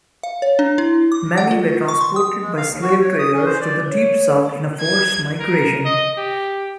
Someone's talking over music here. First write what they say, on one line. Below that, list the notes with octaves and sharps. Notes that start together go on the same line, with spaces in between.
Many were transported by slave traders to the Deep South in a forced migration.
F5
C#5
D4
E4
D6
F#5
F4
C#6
C6
D#6
G#3
F5
D#2
F#4
C#5
D#6
C#4
C5
D5
C#5
G#6
A#4
D#5
G4